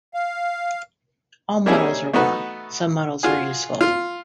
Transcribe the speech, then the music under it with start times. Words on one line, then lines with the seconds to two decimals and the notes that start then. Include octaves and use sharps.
All models are wrong; some models are useful.
0.14 F5
1.66 G3 A#3 C#4 D#4 E4 G#4
2.13 A3 B3 D#4 F#4 B4
3.23 F4 F#4 G#4
3.81 F4